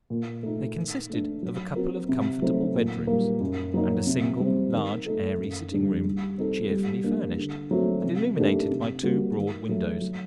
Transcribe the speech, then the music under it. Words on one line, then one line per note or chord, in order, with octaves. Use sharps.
They consisted of a couple of comfortable bed-rooms and a single large airy sitting-room, cheerfully furnished, and illuminated by two broad windows.
A#2
A3 D#4
D#3
A3 D4
F#3
C4 F#4 A#4
C3
F#3 A3 C4 D#4
A#2
G3 A#3
F#2
F#3 A#3 D#4
C3
G3 C4
D#3
A3 D#4 A4
F#2
D3 G3 D4
G3
C4 D#4 A4
G3
A#3 D4
D3
F#3 A3 C4 F#4
C3
D#3 A3 D4 G4
C3
G3 A#3 F#4
D#3
F#3 A3
F#3